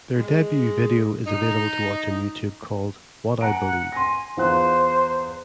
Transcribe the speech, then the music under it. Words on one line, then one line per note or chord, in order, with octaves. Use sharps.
Their debut video is available to watch on YouTube called "What I believe".
G#3
D#4
F#5 G#5 A#5 D7
G#5 C6 A#6
E2 F4 C5 F#6